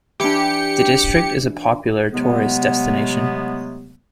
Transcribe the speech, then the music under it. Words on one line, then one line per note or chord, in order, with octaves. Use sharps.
The district is a popular tourist destination.
E3 D4 G4 C#7
C3 F#3 G#3 A3 B3